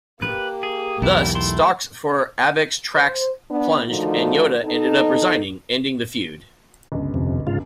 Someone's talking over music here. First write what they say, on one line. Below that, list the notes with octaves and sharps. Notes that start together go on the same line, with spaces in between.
Thus, stocks for Avex Trax plunged and Yoda ended up resigning, ending the feud.
A#3 G4 B4
G#4
B1 E2 A3 E4
A3 E4 C6
C5
B3 D4
D3 D#3 F3 A3 D#4 F#4
B3 D#4 A4
G1 C#2
F2 C3
G#2 C#3 F4